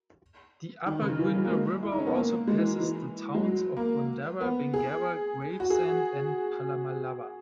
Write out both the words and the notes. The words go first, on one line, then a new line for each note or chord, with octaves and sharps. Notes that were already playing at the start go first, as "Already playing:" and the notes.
The upper Gwydir River also passes the towns of Bundarra, Bingara, Gravesend, and Pallamallawa.
D#3
C#3
D#3
E3
F#3
A#3
G#3
E4
D#4
C#4
B3
A#3
G#3
E3
F#3
E3
G#3
F#3
A#3
B3
G#4
F#4
G#4